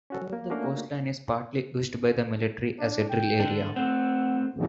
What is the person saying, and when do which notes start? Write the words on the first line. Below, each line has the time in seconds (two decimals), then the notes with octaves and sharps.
However, the coastline is partly used by the military as a drill-area.
0.10 C#4 F#4 A4
0.33 A#3
0.50 A3 A#3 C#4 D4 F4 F#4
2.79 D4
3.09 G5
3.40 D3 D4
3.76 A3 C4 F#5